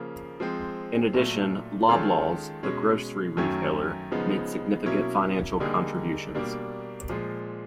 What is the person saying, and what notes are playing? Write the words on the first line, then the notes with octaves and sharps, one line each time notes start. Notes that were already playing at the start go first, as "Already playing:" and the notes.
In addition, Loblaws, the grocery retailer, made significant financial contributions.
Already playing: C#3 F3 A#3
F3 G#3 C4
A#2 F#3 A3
D#3 G#3 C#4 F4 A4
B2 G#3 C#4
F#2 D#3 F#3 A3 C#4
C#3 F3 G#3 B3 D#4
B2 F#3 A#3 C#4 E4
D3 G3 A#3 D#4 G#4
B2 G3 A#3 D4
A#2 F3 G#3